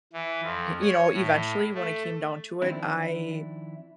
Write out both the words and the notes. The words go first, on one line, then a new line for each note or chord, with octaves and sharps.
h you know, eventually, when it came down to it, I,
E3
F2
C#5
A2
A3
D#3 F3 C4 D4 E4